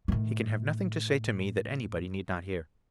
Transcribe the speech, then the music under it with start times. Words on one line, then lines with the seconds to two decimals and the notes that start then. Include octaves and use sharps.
He can have nothing to say to me that anybody need not hear.
0.08 A2 D#3